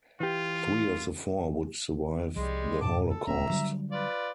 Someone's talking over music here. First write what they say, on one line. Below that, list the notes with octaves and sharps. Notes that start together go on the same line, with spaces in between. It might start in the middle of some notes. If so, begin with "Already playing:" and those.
Three of the four would survive the Holocaust.
E3 F4 G4
C2 F3 G3 G#3
F2 G#2 B2 A5 D6
A4
D#1 B3 C#4 E5 A#5
D3 F#3 G3
F4 B4 D5